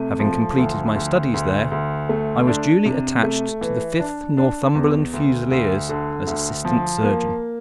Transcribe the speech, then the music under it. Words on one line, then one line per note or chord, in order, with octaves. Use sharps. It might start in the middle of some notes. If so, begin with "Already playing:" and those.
Having completed my studies there, I was duly attached to the Fifth Northumberland Fusiliers as Assistant Surgeon.
Already playing: C3 A3
F3
D2
D2
D2
D2
A3
D4
C3
A3
E3
D4
D4
E2
D2
D2
D3
D2
F3
A#3